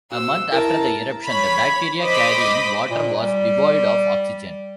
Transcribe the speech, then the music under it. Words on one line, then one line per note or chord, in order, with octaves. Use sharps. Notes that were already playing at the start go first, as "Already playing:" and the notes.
A month after the eruption, the bacteria-carrying water was devoid of oxygen.
F#4 C5 E6
E4 A#4 A5 A#5
C#5 B5
C5 D#5 B5 D6 B6
A#2
G3